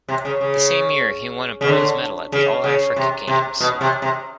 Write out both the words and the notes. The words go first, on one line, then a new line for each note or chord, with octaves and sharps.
The same year he won a bronze medal at the All-Africa Games.
C3
C#3
C#3
C#3
D3
C#3
C#3
C3
C3
B2
C3
C3